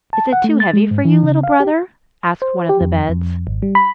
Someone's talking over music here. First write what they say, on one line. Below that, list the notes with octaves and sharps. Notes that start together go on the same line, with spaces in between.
'Is it too heavy for you, little brother?' asked one of the beds.
A5
F#5
A3
A6
G#3
G#2
E3
C#3
F5
G4
C5
G4
F2
F2
G#1
G3
B5